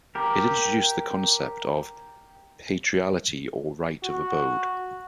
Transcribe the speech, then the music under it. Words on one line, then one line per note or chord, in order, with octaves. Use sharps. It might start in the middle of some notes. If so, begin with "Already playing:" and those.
It introduced the concept of "patriality or right of abode".
G4 A#4
F#4